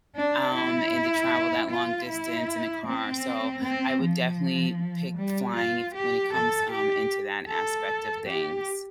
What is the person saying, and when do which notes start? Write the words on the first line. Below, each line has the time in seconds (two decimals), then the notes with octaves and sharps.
Um, and to travel that long distance in a car, so I would definitely pick flying if when it comes, um, into that aspect of things.
0.16 D4
0.55 E4
1.70 F4
2.09 E4
2.86 C4
3.63 C4
4.02 F3
5.18 G3
5.56 F4
5.94 G4
6.33 A4
6.72 G4
7.48 A4
8.26 G4